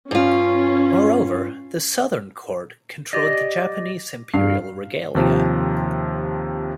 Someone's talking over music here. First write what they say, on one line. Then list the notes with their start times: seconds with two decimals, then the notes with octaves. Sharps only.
Moreover, the Southern Court controlled the Japanese imperial regalia.
0.11 G2 C#4 F4
3.13 G4 D5 D#5
4.34 G2 F5
5.15 D#2 C3 F3